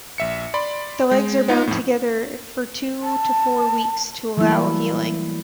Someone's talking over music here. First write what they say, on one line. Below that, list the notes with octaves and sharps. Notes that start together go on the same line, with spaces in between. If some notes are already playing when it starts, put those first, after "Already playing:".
The legs are bound together for two to four weeks to allow healing.
A#1 E5 C#7
D5 B5 C6
G#3
B3 D#4 F4
F2 A2
A5
E3 F#3 G3 A3 A#3 E4